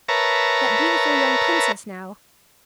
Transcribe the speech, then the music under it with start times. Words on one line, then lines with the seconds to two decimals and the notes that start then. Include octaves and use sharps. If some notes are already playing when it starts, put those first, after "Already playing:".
That beautiful young princess, now!
0.08 A#4 B4 C#5 E5 A5 A#5